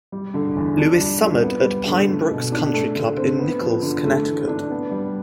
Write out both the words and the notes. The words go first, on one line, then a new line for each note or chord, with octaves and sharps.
Lewis summered at Pine Brook Country Club in Nichols, Connecticut.
G3
D3
E2
D4
G3
F4
B3
G3
D3
A3
B2
D4
A3
D3
C4
B3
F3
D3
A3
E3
D4
B3
G3